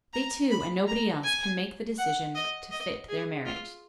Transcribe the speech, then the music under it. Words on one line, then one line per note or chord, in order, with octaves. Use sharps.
They two, and nobody else, can make the decision to fit their marriage.
A#5
B5
A#5
G#5
F#5
D#5
D#5
G#4
F4